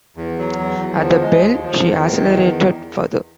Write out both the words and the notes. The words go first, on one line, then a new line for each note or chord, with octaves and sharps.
At the bell she accelerated further.
E2
F#3
E2
E2
F3
G#3
D#2
F3
E2
D#3
E2